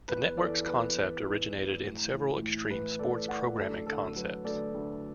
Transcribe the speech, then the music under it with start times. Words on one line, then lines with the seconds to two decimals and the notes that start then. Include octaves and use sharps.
The network's concept originated in several extreme sports programming concepts.
0.08 E2 B4
0.37 E3 A4 D5
0.66 E2 B4
0.96 E3
1.25 E2
1.54 E3
1.83 A2
2.12 E3
2.41 A2
2.70 E3 B4
2.99 A2 A4 D5
3.28 E3 D5 F#5
3.57 D2 A4 D5
3.86 D3 A4
4.08 A4
4.16 F#3 B4
4.45 D2 A4 D5
4.74 D2